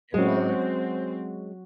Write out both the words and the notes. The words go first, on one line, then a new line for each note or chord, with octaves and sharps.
And like,
F#3 G#3 C4 C#4 F#4 C5